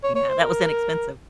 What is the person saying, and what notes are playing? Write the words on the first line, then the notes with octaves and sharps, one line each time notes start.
Yeah. That was inexpensive.
C#5
C#5
C5
A#4